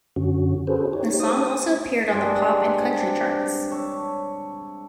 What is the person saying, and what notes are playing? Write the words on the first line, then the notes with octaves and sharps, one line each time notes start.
The song also appeared on the pop and country charts.
F#2 D3 C#4 F#4
C#4 F#4 G#4 A4 B4 C5
D#4 G4 C#5
C5 D#6
G2 G#3 D4
C3 D4
C#5 E5 A5